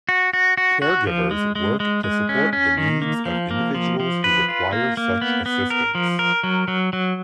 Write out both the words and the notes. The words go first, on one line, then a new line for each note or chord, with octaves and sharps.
Caregivers work to support the needs of individuals who require such assistance.
F#4
F#4
F#4
F#4
F3
G#3
G#3
G#3
G#3
C#4
C#4
D#3
A#3
F3
A#3
F3
F3
B4
F4
A#3
A#3
B3
B3
A#4
F3
A#4
F#3
F#3
F#3